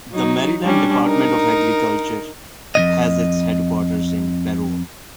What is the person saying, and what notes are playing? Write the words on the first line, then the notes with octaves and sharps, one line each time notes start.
The Maryland Department of Agriculture has its headquarters in Parole.
F#3 D#4
G3 C#4 D4
D#4 A#4
F2 C3 D#5